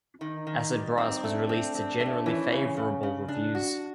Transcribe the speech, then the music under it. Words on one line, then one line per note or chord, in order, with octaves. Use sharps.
"Acid Brass" was released to generally favourable reviews.
D#3 D#4
D#3
G3
C4
A3 D4
C4
C4
A3
E3 C#4
C#3
C#3
C#3
D4
F#4